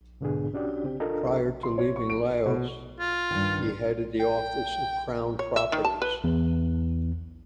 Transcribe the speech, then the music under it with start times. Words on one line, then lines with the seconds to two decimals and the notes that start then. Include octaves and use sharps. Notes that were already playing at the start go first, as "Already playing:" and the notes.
Prior to leaving Laos he headed the Office of Crown Properties.
0.21 G#2 B2 D3 B3 D4 G#4
0.54 C#4 D4 F#4 G4 D5
0.84 C#3 C4 G4
1.00 D4 F4 A4 A#4 D#5 A#5
1.63 C6
1.78 C#5
1.96 C#6
2.10 D7
2.46 B2
3.00 F4
3.31 G2 D#3
4.20 G5
5.39 C#5
5.56 E5
5.72 D#3
5.85 A5
6.02 B4
6.24 E2